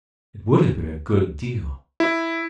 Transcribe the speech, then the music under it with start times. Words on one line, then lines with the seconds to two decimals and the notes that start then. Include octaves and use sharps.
It would have been a good deal.
2.00 E4